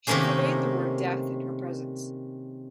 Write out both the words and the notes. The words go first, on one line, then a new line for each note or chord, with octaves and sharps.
She forbade the word "death" in her presence.
C3 D#3 A3 A#3 C#4 G#4